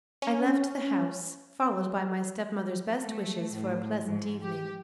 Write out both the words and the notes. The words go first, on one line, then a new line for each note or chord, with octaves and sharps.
I left the house, followed by my stepmother's best wishes for a pleasant evening.
C#4
A3
A2
G#2
G4